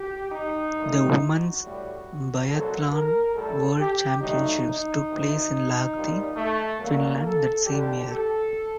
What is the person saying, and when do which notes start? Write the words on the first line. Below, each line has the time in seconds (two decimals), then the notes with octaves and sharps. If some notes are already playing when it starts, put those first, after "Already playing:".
The Women’s Biathlon World Championships took place in Lahti, Finland that same year.
Already playing: G4
0.32 D#4
0.76 G2 D#3 A3
1.19 F#4
1.63 A2 G3
2.48 C2 A#2 F#3 A4
2.91 A#4
3.34 A2 G3 A4
3.78 G4
4.21 G2 F#3 A3 D#4
4.65 D#4
5.07 D2 C3 D#3
5.94 C2 A#2 G3
6.36 A3
6.79 D#2 D3 F#3 A3 A#3
7.24 A4
7.66 D#2 D3 G3 G4
8.09 A4